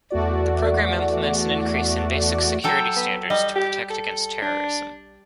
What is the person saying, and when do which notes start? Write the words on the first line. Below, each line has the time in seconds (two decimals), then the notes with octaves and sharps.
The program implements an increase in basic security standards to protect against terrorism.
0.10 E2 A3 F#4 D5
2.64 F#3 A4 G5
2.96 B3
3.30 G3 D#5
3.56 G4
3.90 A4
4.42 D4